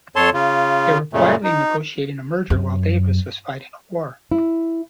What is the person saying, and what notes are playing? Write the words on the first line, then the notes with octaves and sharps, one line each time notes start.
They were quietly negotiating a merger while Davis was fighting a war.
F2 A4 C#5 A5 C6
C#3 F4
F#2 A#2 C#3 A3
D#4
F#2
E4